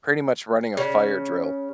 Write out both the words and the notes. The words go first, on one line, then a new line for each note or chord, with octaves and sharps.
pretty much running a fire drill,
C#3